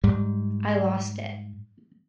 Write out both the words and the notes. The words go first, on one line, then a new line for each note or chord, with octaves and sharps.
I lost it.
G#2 G3